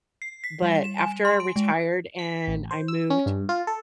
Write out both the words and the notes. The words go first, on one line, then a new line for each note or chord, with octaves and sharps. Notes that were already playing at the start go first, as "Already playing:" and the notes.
but after I retired and I moved
C7
B6
G3
E7
G#5
C6
D7
G#3
B6
A1
C5
E6
C#4
G2
F4
A4